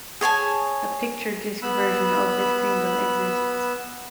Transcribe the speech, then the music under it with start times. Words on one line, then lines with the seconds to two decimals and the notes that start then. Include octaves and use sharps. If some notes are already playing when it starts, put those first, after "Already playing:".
A picture disc version of this single exists.
0.21 G#4 C#5 G#5 A5
1.62 B3 B5 E6 F#6